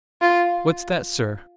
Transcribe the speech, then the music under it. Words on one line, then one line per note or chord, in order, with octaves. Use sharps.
"What's that, sir?"
F4